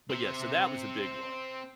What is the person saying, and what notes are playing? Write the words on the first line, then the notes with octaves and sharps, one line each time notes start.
but yeah, so that was a big one.
C4 E5